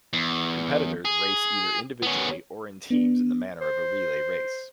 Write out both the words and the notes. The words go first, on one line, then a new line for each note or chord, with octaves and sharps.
Competitors race either individually or in teams in the manner of a relay race.
E2
G#4
B3 C#4
B3 D4
C5